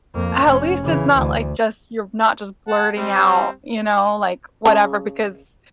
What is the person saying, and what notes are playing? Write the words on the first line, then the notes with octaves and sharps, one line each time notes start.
at least it's not like just you're not just blurting out, you know, like, whatever, because
F2 A#3
F1 C#4
C#3 E3
D2
F#5 A5
G3 C4
C#3 A5